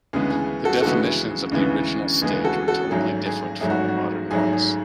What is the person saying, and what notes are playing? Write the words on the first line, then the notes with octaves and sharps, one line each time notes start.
The definitions of the original stage were totally different from the modern ones.
D2 C#3 E3 G#3 B3 G#4
G#4
F#4 A4
D2 C#3 E3 G#3 B3 F#4 A4
D2 C#3 E3 G#3 B3
D2 C#3 E3 G#3 B3 G#4
F#4 A4
F#4 A4
G#1 G#2 F#3 A3 G#4
G#4
G#1 G#2 F#3 A3 G#4
F#4
F#4
G#1 G#2 F#3 A3 G#4
G#4